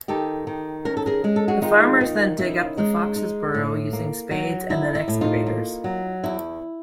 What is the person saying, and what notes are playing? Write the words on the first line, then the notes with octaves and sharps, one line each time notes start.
The farmers then dig up the Foxes' burrow using spades and then excavators.
D#3 G4 A4
D#3
C#4 A#4
A4
G#4 A#4
G#3 G#4
A4
F#4 G#4
D#3 D#4 F4
D#3
C#4 E4
G#3 D#4
D#4
A2
A#3
F#3
D#4 E4
E4
A2
D#4 F4
A#3
F#3
E2 E4